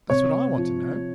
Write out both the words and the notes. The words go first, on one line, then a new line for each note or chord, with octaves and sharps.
That's what I want to know.
C3 C#5
F3